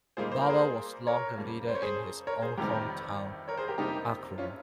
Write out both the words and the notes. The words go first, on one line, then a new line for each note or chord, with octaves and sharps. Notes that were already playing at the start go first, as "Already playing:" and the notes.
Barber was long a leader in his own home town, Akron.
A#2 G3 A#3 D#4 G#4 C5
C5
A#4
G#4 C5
A#4 C#5
F2 C#3 G3 A#3
C5
C#5
G#4 C5
A#4 C#5
G#4 C5
G1 F2 C3 D#3 G3 G4 A#4
A#4 C#5
G#4 C5
G4 A#4
F2 C3 G3 A#3 D#4 G4
C#4 F4